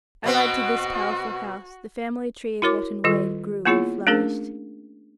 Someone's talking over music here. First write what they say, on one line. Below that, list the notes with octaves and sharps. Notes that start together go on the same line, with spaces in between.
Allied to this powerful house, the family tree of Wotton Wade grew and flourished.
B2 B3 C4 F#4
E4 F#4 A#4 C#5 D6
D#3 G3 F4 A4
A#3 B3 E4 F4 G#4 C#5
A3 C#4 D4 G#4 A#4